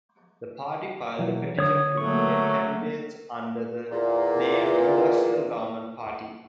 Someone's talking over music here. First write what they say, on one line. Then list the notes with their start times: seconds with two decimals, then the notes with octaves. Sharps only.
The party filed a petition to nominate candidates under the name Industrial Government Party.
1.19 B2 E3 F#3
1.59 D3 C#5 D#6
1.97 F#3 A3 A#3 C#6
3.91 E2 A#2